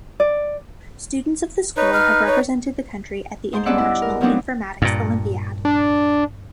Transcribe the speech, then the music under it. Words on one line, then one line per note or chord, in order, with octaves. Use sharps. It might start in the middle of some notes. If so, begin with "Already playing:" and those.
Students of the school have represented the country at the International Informatics Olympiad.
D5
D#4 B4 C#5
F6
C#5
G#2 C5 C6
G2 B3 C#4 D5 E5 F#5
E4 D5
A#4
F3 F#3 B3 C4 D4 D#4
G2 A#2
D4